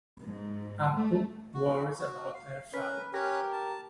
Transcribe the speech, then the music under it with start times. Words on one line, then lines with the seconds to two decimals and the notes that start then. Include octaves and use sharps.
Appu worries about her father.
0.24 G#2
0.95 A3
1.54 F#4
1.99 F#4
2.35 F5
2.73 C#4 A#4 B4
3.14 C#4 G4 A#4 B4 C#5
3.52 A5